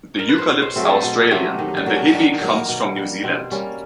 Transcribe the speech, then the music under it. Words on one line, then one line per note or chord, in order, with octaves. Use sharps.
The eucalypts are Australian; and the hebe comes from New Zealand.
A#4
B4
C5
B2 C#5
C5
F#3 A3 C4
G#4
A4
B2
F#3 A3 C4 G4
D#3 D#4
D4
F#3 A#3
C#4
D#3 D4
F#3 A#3 D#4
B2
G3 A#3
B2 C4
G3 A#3 C#4